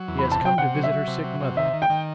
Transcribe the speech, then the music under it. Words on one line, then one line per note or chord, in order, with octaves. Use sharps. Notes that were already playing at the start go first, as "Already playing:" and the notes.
She has come to visit her sick mother.
Already playing: F#3
E2
B5
C3
A5
C3 G5
C3 F#5
F#3
E5
F#3
C3
F#3
C3
D#3 E5
D#3
G5
D#3